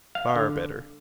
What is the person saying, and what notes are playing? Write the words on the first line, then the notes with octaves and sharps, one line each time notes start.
Far better.
F5
D3